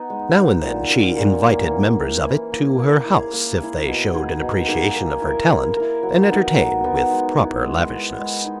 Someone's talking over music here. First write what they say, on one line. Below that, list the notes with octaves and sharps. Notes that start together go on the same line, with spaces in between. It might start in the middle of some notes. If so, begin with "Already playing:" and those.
Now and then she invited members of it to her house if they showed an appreciation of her talent and entertained with proper lavishness.
Already playing: B3 D#4
G#3
B3 D#4
A#2
F#3 A#3 C#4
A#2
F#3 A#3 C#4
E3
A#3 E4
E3
A#3 E4
A#3
E4 G#4
A#3
E4 G#4
B2
A#3 D#4 G#4
B2
A#3 D#4 G#4
A#3
E4
A#4
A#3
E4 A#4
F#3
B3 D#4 A#4
F#3
B3 D#4 A#4
G#3
B3 E4
G#3
B3 E4
G#3
D#4